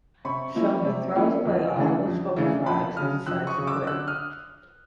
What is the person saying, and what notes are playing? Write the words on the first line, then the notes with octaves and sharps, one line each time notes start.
So he throws away all of his smoking products and decides to quit.
C3 B5 C#6
F3 A#3 C#4 E4
C3
F3 A#3 C#4 E4
F2
C#3 E3 A3 D4
F2
C#3 E3 A3 D4
F2 A5 B5
C#3 F#3 D#6 F6
F2 E6 F#6
C#6 D#6
C#3 F#3
D6 E6
D3 E6 F#6
D#6 F6